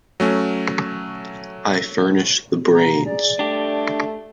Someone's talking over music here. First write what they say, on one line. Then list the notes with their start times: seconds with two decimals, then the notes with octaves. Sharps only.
I furnish the brains.
0.20 F#3 A3 C#4
2.73 A#5
3.05 G#4 D5
3.39 A3 D4 G4